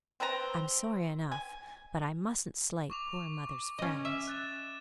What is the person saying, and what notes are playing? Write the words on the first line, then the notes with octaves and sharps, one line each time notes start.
I'm sorry enough; but I mustn't slight poor mother's friends.
C4 B4 A5 A#5
G#5
C#6 D6 F7
C#6
C#4 D#5
E5
F#6 A6 E7